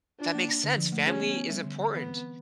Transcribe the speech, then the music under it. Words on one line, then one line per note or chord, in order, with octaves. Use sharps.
that makes sense. Family is important.
D4 F4
A#3
D4
D3
F3
A3
C#4 G#4
B3
B3
G3
D3
D3
E3 B3
C4
E3